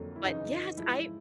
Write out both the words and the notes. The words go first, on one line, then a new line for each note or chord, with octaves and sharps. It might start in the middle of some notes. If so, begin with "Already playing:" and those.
But yes, I
Already playing: F2 D3 F#3 A#3
E4
F#2 C#3 E3 D#4
G#2 F3 G#3 E4